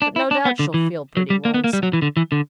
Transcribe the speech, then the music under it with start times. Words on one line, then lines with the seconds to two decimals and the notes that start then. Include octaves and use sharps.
But no doubt she'll feel pretty lonesome.
0.02 D4
0.16 E4
0.31 D4
0.45 B3
0.59 D3
0.74 E3
1.17 F#3
1.30 G3
1.45 A#3
1.54 B3
1.64 A#3
1.73 G3
1.83 F#3
1.93 E3
2.02 D3
2.17 E3
2.32 D3